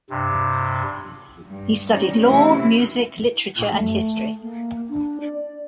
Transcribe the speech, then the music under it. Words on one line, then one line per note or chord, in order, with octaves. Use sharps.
He studied Law, Music, Literature and History.
G2 C3
G2 G3
G3 C#4 D#4
C3 E3 A3 C#4 E4 F#4
A3
A#3
D4
D5